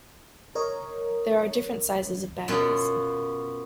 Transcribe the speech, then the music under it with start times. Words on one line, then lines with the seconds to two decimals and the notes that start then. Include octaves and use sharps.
There are different sizes of batteries.
0.55 A#4 C#5 D#5
2.48 F#2 B2 B3 F4